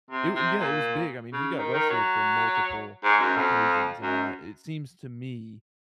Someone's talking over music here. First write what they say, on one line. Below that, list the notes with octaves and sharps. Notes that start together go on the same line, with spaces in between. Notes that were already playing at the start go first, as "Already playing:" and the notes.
it wa And yeah, it was big, I mean, he got busted for multiple occasions and I it seems to me
C3
C3
A#2
C#3
D#3
D#3
F#3
G#2
F#2
F2
F#2